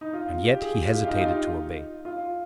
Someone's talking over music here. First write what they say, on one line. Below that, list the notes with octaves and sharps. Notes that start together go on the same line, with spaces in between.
And yet he hesitated to obey.
D#4
F4
G4
G#4
F4
G4
F4
D#4
D#4
F4
F4